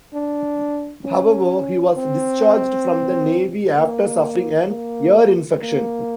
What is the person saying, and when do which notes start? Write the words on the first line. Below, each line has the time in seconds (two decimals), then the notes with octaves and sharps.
However he was discharged from the Navy after suffering an ear infection.
0.14 D4
1.04 C#4
1.97 C4
3.78 A#3
4.70 A#3
5.61 A#3